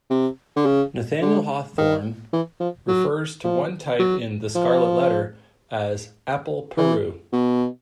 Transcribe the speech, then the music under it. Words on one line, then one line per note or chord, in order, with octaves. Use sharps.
Nathaniel Hawthorne refers to one type in "The Scarlet Letter" as "apple-Peru".
C3
D3
C#3
D3
D#3
E3
F3
F#3
F3
F#3
F3
E3
B2